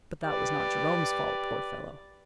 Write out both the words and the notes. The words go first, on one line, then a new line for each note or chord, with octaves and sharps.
But that was not Jerome's fault, poor fellow!
G4 B4 D5